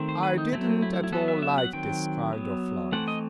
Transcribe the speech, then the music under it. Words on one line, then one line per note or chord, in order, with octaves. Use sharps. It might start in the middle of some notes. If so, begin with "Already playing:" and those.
I did not at all like this kind of life.
Already playing: D#3 A3 C4
C5
B4
D#4
F#3 A3 C4 E4
E4
E4
E4
F#3 B3 A4
E5
E5
F#5
D#3 F#3 C4 G5
F#3 B3
E3 A3 C4 F#5
D#5